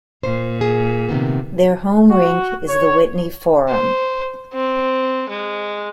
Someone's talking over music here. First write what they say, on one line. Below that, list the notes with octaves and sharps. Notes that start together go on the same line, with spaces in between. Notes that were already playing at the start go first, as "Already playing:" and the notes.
Their home rink is the Whitney Forum.
A#2 C5
G#4
C3 D#3 B3
F#4
C#5
C5
C4
G#3